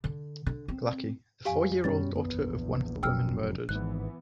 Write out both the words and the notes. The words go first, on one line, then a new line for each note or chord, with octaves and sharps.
Glaki- The four-year-old daughter of one of the women murdered.
D3
D3
C4
F2 G4 F5 G#5
F#2 B2 G3 C#4 A6
A#1 E2 B3
F1 F#2 G5 E6 F6
G#1 G#2 E3 B3 F#6